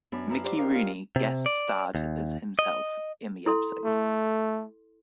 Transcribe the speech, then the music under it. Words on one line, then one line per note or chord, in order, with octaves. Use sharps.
Mickey Rooney guest starred as himself in the episode.
F#2 B3 D4 B5
D4 F4 B4 E5 A#5 B5
G4 C5 D5 E5 C6 D6
D#4 F4 A#4 C5 D5 F5
C#4 F4
C3
D5
D#2
D#5
E4 A4 C6
A3